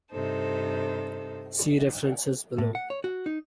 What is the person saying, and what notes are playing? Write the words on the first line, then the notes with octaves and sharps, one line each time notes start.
See References below.
G2 C3 D#4 A4 C5
A2
F#5
C#5
F#4
D#4